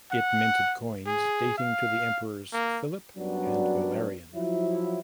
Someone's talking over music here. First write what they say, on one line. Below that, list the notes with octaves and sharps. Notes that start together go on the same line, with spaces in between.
It minted coins dating to the emperors Philip and Valerian.
F#5
G#4
F5
A#3
F#2 F#3 G3 B3 D4 F#4
F3 F#3 E4